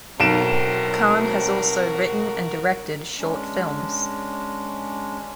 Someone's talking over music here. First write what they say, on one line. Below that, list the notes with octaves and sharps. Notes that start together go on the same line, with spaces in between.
Khan has also written and directed short films.
B1 E3 F#3 C4 F#4 A#4 D7 E7
G#3 C#4 D4